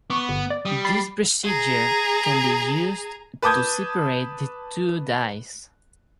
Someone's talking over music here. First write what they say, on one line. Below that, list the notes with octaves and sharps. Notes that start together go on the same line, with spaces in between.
This procedure can be used to separate the two dyes.
B3 C#6 D6
G1
D5
G3 D#6
B5 A6 C7
G#4 A#5
B4 A5 D6 D#6 G6 G#6